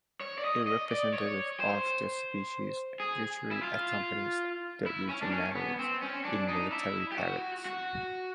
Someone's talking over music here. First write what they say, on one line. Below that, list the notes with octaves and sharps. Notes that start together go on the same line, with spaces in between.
A representative of the species usually accompanies the legionaries in military parades.
C#5
D5
D#5
D#5
D5
C#5
C5
G#4
E4
F4
E4
C#4
D4
C#4
B3
C4
C#4
D4
D#4
E4
G4
F#4
F#4